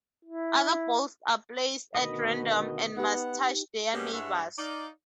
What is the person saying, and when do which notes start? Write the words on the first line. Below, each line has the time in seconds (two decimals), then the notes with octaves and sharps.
Other balls are placed at random and must touch their neighbors.
0.25 E4
1.95 D2 B2 D#3 D#5 B5
2.97 B3 D#4 G4 F#5
3.93 B2 G3 G#3 B3 C#4 G4
4.12 G2 G#3 E4 C#5 E5 F#5
4.58 D#4 D5 F5